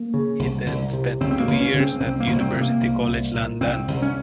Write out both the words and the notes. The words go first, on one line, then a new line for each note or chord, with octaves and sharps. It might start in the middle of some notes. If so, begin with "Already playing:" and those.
He then spent two years at University College London.
Already playing: A#3
C#3
C2
C2
C3
C#2 C4
C4
A#3
C#2
C#4
C#3
C4
C2 C4
A#3
C2
C4
C3
A#3
C2
C2
A#2
C2 C4
C2
C#4